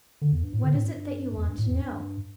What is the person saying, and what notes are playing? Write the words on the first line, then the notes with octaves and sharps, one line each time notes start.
What is it that you want to know?
D3
E2
G2
A2
D3
A2
G2
E2
G2
A2
E2
G2